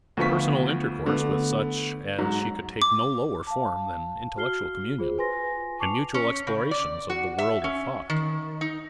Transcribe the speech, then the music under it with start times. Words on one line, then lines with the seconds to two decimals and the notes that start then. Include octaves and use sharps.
Personal intercourse with such as she could take no lower form than intellectual communion, and mutual explorations of the world of thought.
0.17 D2 F3 B3 F4 C#6 B6
1.06 D3 A3 B3
2.18 G#2 F#3
2.82 D6
3.47 F5 A5
4.37 F#4 F6 C7 G7
4.98 F4 G#4 C5
5.18 B4 G#5 C6 A#6
5.79 A5 C#6 D6 C7 C#7 F7
6.14 C#4
6.47 C#3
6.71 D5
7.10 F#4
7.38 E5
7.64 C#4
8.10 D#3
8.61 D#4